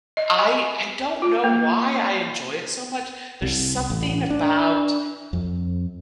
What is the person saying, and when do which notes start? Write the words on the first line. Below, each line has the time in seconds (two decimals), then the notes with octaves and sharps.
I I don't know why I enjoy it so much, there's something about
0.17 D#5
0.39 G#5
1.22 F4
1.44 A#3
3.42 C2
3.90 A1
4.30 D4
5.33 F2